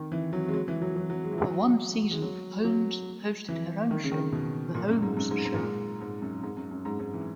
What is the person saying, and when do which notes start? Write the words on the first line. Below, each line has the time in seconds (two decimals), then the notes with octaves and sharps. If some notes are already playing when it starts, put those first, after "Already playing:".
For one season, Holmes hosted her own show, "The Holmes Show".
Already playing: D#3
0.12 E3
0.33 F#3
0.48 G#3
0.54 F#3
0.68 E3
0.82 F#3
0.96 F#3
1.10 F#3
1.24 G#3
1.33 E3
1.38 F#3
2.11 G#3
2.22 F#3
2.64 F#3
3.48 E3
3.91 D#3
4.04 C#3
4.12 D#3
4.32 B2
4.74 A#2
4.89 F#2
5.02 G#2
5.17 F#2
5.31 G#2
5.45 G#2
5.54 A#2
5.63 G#2
6.01 G#2
6.22 F#2
6.43 G#2
6.57 F#2
6.71 F#2
6.85 G#2
7.00 G#2
7.14 E3